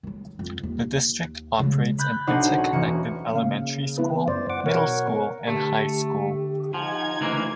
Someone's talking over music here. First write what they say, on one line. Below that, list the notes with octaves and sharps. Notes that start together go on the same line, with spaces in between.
The district operates an interconnected elementary school, middle school, and high school.
D#3 F#3
F2
D#2
C#3 G#3
B5 F#6 G6 A6
F#6
B1 D4 D#4 C5 F#5 D#7
C#4
E1 A#3 C#7
C#3 A#3 F5
B3 E4 B4
F#2 C5 D5
F#5 D6
B2 A#4 C#5 F#5
D3 A3 G4
F3 D#4 F#5 G#5 G#6
D2 C#3 E3 A#3